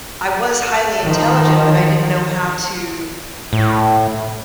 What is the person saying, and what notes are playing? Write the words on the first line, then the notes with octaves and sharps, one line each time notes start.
I was highly intelligent, but I didn't know how to,
D#3 F3
A2